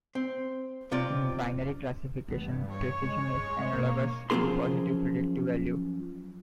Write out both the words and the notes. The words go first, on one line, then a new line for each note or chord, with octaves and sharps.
In binary classification, precision is analogous to positive predictive value.
C4
B1 C3 F4 D5
G2 E3 A3 B3
C#5
G#3
G2
B2 A#3 D4
F#2 F3 C4 D4 G#4 C6